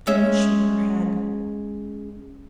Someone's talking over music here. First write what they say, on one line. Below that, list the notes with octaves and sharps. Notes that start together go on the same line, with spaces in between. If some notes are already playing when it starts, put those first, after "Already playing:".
Dounia shook her head.
G#3 C#4 E5